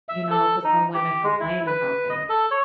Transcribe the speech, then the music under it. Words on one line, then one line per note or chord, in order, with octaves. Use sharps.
You know, 'cause some women complain about that.
E5
A4
D#4
G4
G#3
E4
B4
D#5
A4
C#5